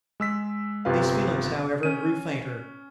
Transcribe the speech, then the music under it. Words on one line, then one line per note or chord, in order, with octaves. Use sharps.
These feelings, however, grew fainter.
G#3 E6 B6
G1 C3 F4 B4 F5
C#4 D#7